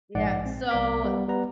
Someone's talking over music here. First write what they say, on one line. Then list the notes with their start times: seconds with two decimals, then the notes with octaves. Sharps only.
Yeah, so
0.15 A#1 G#2 G#3 D5 F#5
0.46 C4
0.71 C2 B3 D5 A#5 D6 B6
1.04 G3 B3
1.28 G3 B3 B4 A#5